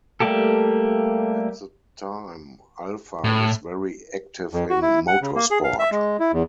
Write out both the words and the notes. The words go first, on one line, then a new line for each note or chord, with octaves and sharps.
At the time, Alfa was very active in motorsport.
G3 A3 A#3 G4 A4
A2
F2
F#4
E4
F#5
C#3
A#3
G#4
F5
E5
G#3
E4
E2